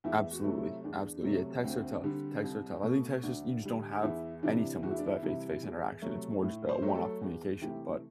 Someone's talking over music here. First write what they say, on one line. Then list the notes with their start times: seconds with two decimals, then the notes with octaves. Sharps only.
Absolutely. Absolutely, yeah. Texts are tough, texts are tough. I think text is you just don't have any similar to that face-to-face interaction, it's more just a one-off communication, but,
0.04 E2 E4
0.31 F#4
0.44 C3 F#3 A3
0.57 E4
0.84 E2 D4
1.24 C3 F#3 A3
1.64 D2 C4
2.04 D3 G3
2.43 C2
2.83 B2 A3
3.23 D2 D4
3.63 D3 G3
4.03 E2 E4
4.43 C3 E3 D4
4.83 E2 F#4
4.90 E4
4.99 D4
5.06 E4
5.22 C3 E3 G3
5.63 E2
6.02 C3 F#3 A3
6.42 A2
6.69 C5
6.82 F#3 A3
6.87 G4
6.95 A4
7.22 E2
7.61 C3 E3 A3 G4